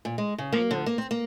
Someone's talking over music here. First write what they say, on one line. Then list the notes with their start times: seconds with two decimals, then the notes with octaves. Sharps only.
I know s
0.05 A#2
0.18 G#3
0.38 C#3
0.53 A#3
0.71 D3
0.86 A#3
0.98 C4
1.11 A#3